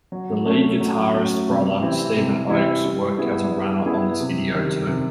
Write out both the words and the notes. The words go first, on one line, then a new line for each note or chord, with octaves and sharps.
The lead guitarist's brother, Stephen Oakes, worked as a runner on this video too.
F#3
A3 C#4 F#4 A4
F#3
A3 C#4 F#4 A4
C3
E3 G3 C4 E4
C3
E3 G3 C4 E4
G3
B3 E4 G#4
G3
B3 E4 G#4
C3
D#3 G3
C3